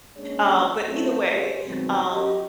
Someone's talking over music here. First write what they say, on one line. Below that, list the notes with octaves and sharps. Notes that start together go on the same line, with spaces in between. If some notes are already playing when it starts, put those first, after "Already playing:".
Um, but either way, um
G#3 A#3 C#4 D4 C#5
F#3 A3 C4 C#4 F4 F#4
G4 G#4 C5 C#5
B2 D#3 F#3 G#3 C4
G4 D#5